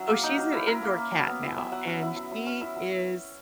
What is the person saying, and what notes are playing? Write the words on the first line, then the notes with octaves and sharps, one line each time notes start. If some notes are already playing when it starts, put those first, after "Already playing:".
Oh, she's an indoor cat now, and she is
Already playing: F#3 C#4 E4 F#5
A#3
D#4
F#3
E4 B4
E4 A#4
A#3
A#3
F#3
B3
E4
F#3 E5
F#3 F#5
C#4 F#5
E4
F#3
F#3
C#4
E4 E5
F#3